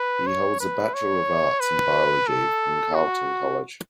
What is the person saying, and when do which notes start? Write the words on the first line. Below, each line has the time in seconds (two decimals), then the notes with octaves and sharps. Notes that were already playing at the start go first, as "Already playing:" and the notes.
He holds a Bachelor of Arts in Biology from Carleton College.
Already playing: B4
0.27 C#5
0.60 B4
0.94 C#5
1.60 B4
2.27 A4
2.94 F#4